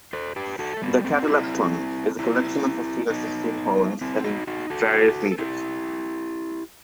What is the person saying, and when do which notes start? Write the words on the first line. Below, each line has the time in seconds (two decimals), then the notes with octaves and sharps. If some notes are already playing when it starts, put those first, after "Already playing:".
The "Catalepton" is a collection of fifteen or sixteen poems in various meters.
0.13 A4 C5
0.36 G4 B4
0.59 F#4 A4
0.77 A3
0.82 G3 B3
1.04 A3 C4
1.23 F#4
1.28 C4 E4
2.19 C4 E4
3.10 B3 D#4
4.01 C4 E4
4.24 D#4 F#4
4.47 D#4 F#4
4.70 F#4 A4
5.32 A4
5.38 E4 G4